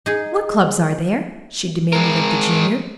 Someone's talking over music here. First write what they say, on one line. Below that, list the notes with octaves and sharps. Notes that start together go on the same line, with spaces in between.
"What clubs are there?" she demanded of the Junior.
D#4 G#4
G#3 A#4